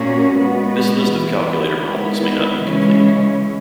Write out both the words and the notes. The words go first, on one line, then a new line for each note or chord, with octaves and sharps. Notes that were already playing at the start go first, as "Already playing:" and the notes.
This list of calculator models may not be complete.
Already playing: A#2 A#3 C#4 F#4
A#2 G#3 B3 F#4
E3 B3 E4
D#3 G#3 B3
C#3 E3 G#3 C#4